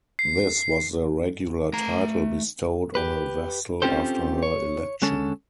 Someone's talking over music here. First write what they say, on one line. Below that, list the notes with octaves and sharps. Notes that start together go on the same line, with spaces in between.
This was the regular title bestowed on a Vestal after her election.
C7
A3 A#5
G4 B4
C4 C#4 F4 G4 A4 C5
C#5
D3 G#3 C#4 A4